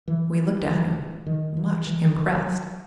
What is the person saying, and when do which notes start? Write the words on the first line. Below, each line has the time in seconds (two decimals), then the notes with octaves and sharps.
We looked at him, much impressed.
0.08 E3
0.67 E3
1.27 D#3
1.57 E3
1.87 E3
2.16 D#3
2.46 F#3